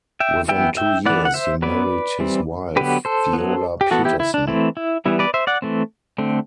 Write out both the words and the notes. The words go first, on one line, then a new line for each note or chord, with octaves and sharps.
Within two years, he married his wife, Viola Peterson.
E5 G5
E3 B3 E5 G5
E5 G5
E3 B3 D5 F#5
F#5
C5 E5
F#3 B3 B4 D5
E3 G3 C4
D3 F#3 B3 G4 B4
A4 C5
F#3 B3
G4
E3 B3 F#4 A4
E4 G4
E4
D4
E3 A3 C4 E4
E4
E3 G3 B3 E4
B4 D5
C5 E5
D5 F#5
E3 A3 C4
D3 A3 C4